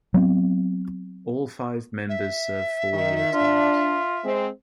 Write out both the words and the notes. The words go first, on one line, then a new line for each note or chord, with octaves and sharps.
All five members serve four year terms.
F#3 B3 C4
E5
D#3
D4 F4
G#3 C4